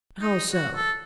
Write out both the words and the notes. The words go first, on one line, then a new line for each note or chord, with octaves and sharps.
"How so?"
D#4
F#4
A4